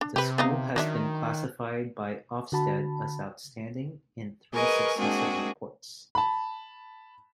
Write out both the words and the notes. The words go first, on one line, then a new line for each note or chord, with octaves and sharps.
The school has been classified by Ofsted as 'Outstanding' in three successive reports.
D4
C3 G4 B4
B3 D#4 F5
D#3 F#3 D4 E5
D3 F#4 A5 B5
G#4 A#4 B4 D#5 G#5 C#6
G#3 A#3 C4 D4 F#4 G#4
A5 B5